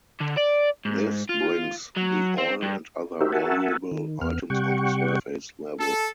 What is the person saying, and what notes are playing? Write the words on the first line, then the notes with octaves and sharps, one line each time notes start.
This brings the oil and other valuable items onto surface level.
D3
D5
G#2
F4
F#3
C4
G2
D#4 F#4 G4 A#4 C5 E5
F#4 A#4 E5 F#5 G#5 A5
D#3
E2 B3 F6
C3 G3 F#5 G5 C#6
A4